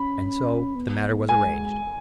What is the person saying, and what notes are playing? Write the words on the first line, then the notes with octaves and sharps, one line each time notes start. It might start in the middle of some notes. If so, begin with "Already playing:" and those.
And so the matter was arranged.
Already playing: C#4 B5
B3
G#3 G#5